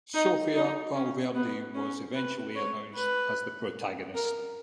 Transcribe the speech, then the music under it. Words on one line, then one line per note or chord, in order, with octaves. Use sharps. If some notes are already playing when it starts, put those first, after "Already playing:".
Sophia Valverde was eventually announced as the protagonist.
D#4
D#4
C#4
B3
C#4
B4
C#5
B4
A#4